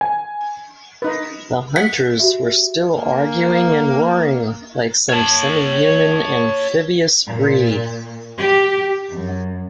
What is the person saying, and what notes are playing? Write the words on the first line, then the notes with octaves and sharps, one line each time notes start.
The hunters were still arguing and roaring like some semi-human amphibious breed.
G#5
D#4 B4
F#5 B6
F#4 G4 E5
A#3 G#5
C#5 A5
A#2
G4
F#2